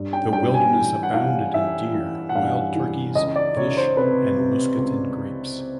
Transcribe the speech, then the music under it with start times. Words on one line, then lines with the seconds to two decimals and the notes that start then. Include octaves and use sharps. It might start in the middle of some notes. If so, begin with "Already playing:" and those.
The wilderness abounded in deer, wild turkeys, fish and muscadine grapes.
Already playing: G2
0.13 G5
0.33 G2 G5
0.54 G#5
0.73 E3
1.03 F#5
1.14 E3 F5
1.54 E3 E5
1.95 E3
2.29 F#5
2.35 G2 F5
2.75 E3
3.15 C#2 D#5
3.36 D5
3.56 C#2 C#5
3.77 C5
3.97 C3 B4
4.37 C3
4.78 C#2